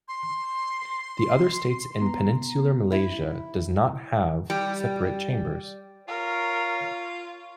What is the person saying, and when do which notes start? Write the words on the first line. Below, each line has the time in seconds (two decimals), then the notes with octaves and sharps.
The other states in Peninsular Malaysia does not have separate chambers.
0.08 C6
2.01 B3 A#5
2.92 E4
4.50 G3
6.08 F4 A#4 C#5